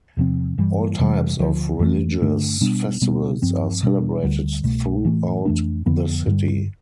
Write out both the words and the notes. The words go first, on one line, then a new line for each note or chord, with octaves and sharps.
All types of religious festivals are celebrated throughout the city.
E2 C3 F3 C4
G2 E3 G3
F2 C3 E3 G3
D2 D3 F3
F2 E3 A3
G2 D3 A3 D4
B2 G3 B3 D4
B2 G3 B3
G2 F3 C4
B2 G3 B3 D4
D2 D3 G3
C2 B2 A3
A2 E3 A3
F2 E3 A3 D4
F2 D3 F3 B3
G2 D3 G3